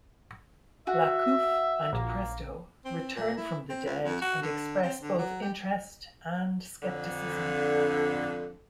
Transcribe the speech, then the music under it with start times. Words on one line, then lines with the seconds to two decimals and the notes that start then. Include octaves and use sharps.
Lacouf and Presto return from the dead and express both interest and scepticism.
0.87 F#4 E5
1.93 A#1 A#3
2.85 C4
3.15 A#2
3.37 E4
3.69 C4
3.85 C#2
4.04 F2
4.21 F#4
4.42 D3
4.82 C4
5.01 D3
5.18 F#3
5.42 G4
6.83 F2 D3